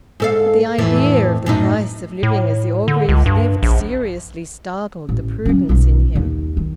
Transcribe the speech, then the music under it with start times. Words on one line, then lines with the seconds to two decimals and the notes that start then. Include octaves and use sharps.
But the idea of the price of living as the Orgreaves lived seriously startled the prudence in him.
0.20 G#2 A4 F5
0.78 F2 A2 E3
1.46 F#2 A2 D#4
2.23 A2
2.88 D3
3.09 C#2
3.26 G2
3.63 A#1
5.09 A1
5.46 F#3 C#4
5.69 B1 F4
6.15 D#2
6.57 D#3